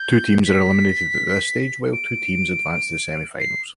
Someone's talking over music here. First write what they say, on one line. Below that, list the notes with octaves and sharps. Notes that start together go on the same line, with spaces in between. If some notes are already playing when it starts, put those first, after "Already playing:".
Two teams are eliminated at this stage, while two teams advance to the semi-finals.
Already playing: G6
B6
D7
C7